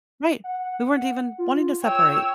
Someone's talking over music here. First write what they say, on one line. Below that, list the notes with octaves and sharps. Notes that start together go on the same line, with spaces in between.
Right. We weren't even wanting to separate.
F#5
F4
C#5 G5 E6